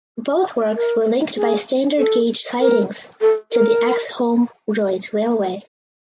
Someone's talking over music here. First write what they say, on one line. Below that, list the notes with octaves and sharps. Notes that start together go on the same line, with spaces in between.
Both works were linked by standard gauge sidings to the Axholme Joint Railway.
A#4
G#4
A4
A#4
A4
A#4